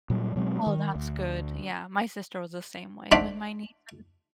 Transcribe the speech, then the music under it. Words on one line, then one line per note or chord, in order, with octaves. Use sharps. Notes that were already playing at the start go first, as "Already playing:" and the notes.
Oh, that's good, yeah, my sister was the same way with my niece and
A#2 F#3 G3
B2 F#3 G#3 C4
D#3
D2
D3 A3 C5 D5 B5